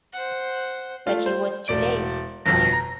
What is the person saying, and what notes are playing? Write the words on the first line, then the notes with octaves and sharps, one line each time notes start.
But he was too late.
C5 F#5
A3 F4
C5
E1 D5 D7
G1 F2 B2 A#6
A#5